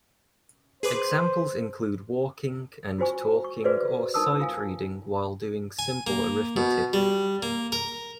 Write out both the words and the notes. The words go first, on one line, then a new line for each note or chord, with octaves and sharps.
Examples include walking and talking or sight reading while doing simple arithmetic.
G#4 B4 C5 D6
F4 F#4 C5 G#5 C#6
C#6
F#4 G#4 B4 C5 D5 E5
D#4 A#4 A5 D#6 E6
F4 F5 G#5
G#5
A#3
B2
G3
A#3
A#4